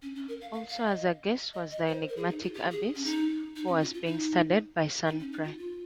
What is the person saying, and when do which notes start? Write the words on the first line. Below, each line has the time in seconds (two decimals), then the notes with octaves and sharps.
Also as a "guest" was the enigmatic Abyss, who was being studied by Sunpyre.
0.02 C#4
0.15 C#4
0.28 A#4
0.41 F5
0.53 F5
0.69 F5
0.87 D#5
1.53 D#5
1.71 D#5
1.88 C5
2.09 A#4
2.16 G#4
2.30 D#4
2.42 F4
2.54 G4
2.71 G#4
2.95 C#4
3.05 D#4
3.56 D#4
3.68 C#4
3.80 F4
3.93 F4
4.06 D#4
5.07 D#4
5.20 C#4
5.32 D#4
5.44 F4
5.58 F4